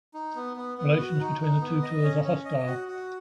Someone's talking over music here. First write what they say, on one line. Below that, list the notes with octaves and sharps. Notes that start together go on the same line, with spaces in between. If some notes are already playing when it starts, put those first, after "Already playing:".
Relations between the two tours are hostile.
D#4
B3
B3
B3
F#4
D#4
D#4
B3
D#5
C#4
C#4
D#5
F#4
F#4